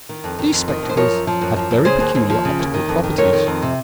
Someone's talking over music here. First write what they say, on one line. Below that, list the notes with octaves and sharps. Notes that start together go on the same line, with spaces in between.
These spectacles had very peculiar optical properties.
D#3
F2
D#3
F2
D#3
F2
C5
F3 A#4 C#5
F#2
F3
F#2
F3
F#2
C#3 G#4 C5
D#2
D#2
F3
C#3
D#2
D#3
F2
D#3
F2 A#4 C#5
D#3
F2
C3